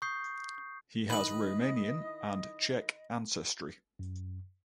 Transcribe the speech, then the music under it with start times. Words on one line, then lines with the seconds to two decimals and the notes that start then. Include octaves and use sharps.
He has Romanian and Czech ancestry.
0.02 C#6 D#6 G6 C7
1.10 D#3 E4 B4 D#5 B5 D#6
3.99 F#2